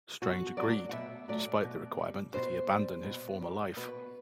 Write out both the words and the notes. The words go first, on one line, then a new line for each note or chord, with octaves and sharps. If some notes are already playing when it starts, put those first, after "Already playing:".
Strange agreed, despite the requirement that he abandon his former life.
B2 F#4
F#3 A3 D5
F#5
B2 E5
F#3 A3 D5
B2
G3
B2 C5
G3
B2
G3
B2 B4